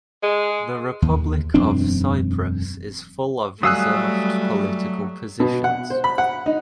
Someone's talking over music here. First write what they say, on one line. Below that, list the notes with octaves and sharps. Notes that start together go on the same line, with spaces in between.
The Republic of Cyprus is full of reserved political positions.
G#3
D#2
E1 F#2 C4 D4
F#3 G3 A3 F5 G#5 D#6 E6 F#6
B2
F#5
C5
B5
F#5
D#4